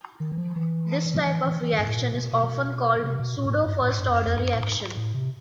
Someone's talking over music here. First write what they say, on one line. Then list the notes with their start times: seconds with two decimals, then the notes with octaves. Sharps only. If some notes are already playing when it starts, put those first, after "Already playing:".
This type of reaction is often called a pseudo first order reaction.
0.20 D#3
0.32 E3
0.37 F3
0.56 E3
1.14 F3
1.27 E3
1.43 E3
1.61 E3
1.72 D#3
1.79 G#2
1.84 A2
1.96 A#2
2.14 B2
2.32 B2
3.03 C3
3.20 B2
3.38 A#2
3.46 A2
3.55 G#2
3.65 G2
3.81 A2
3.91 G#2
3.99 G2
4.09 F#2
4.27 F2
4.36 G2
4.44 F#2
4.55 A2
4.61 G#2
4.97 A2
5.14 C3